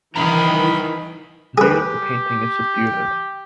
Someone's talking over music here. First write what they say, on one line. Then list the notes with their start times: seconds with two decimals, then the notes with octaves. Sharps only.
The date of the painting is disputed.
0.16 D#3 E3 E4 A#4 A#5 B5
1.58 G4 G#4 B4